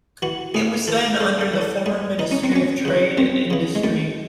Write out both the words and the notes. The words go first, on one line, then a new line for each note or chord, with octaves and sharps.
It was then under the former Ministry of Trade and Industry.
E3 F#4
A2 G#4
E3 A4
G#2 A4
A4
E3
A4
G#2 G#4
E3 D#4
C#4
C4
F#2 C#4
C#3 E3
F#2 C4
C#3 E3
G#3
F#2 A3